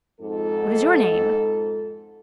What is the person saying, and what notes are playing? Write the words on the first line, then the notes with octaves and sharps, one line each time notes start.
"What is your name?"
F2 G#2 A4